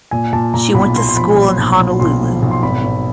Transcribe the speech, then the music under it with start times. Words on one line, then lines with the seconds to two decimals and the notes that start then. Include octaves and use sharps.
She went to school in Honolulu.
0.11 A#2 G#5
0.33 A#2 A5
0.54 A#2 A#5
0.74 B1 B5
0.96 A#2 C6
1.09 C6
1.16 F3 B5
1.37 A#2
1.58 B1
1.80 A#2
2.00 B1 C6
2.22 F3
2.42 B1
2.51 C6
2.62 G#1 B5
2.83 G#1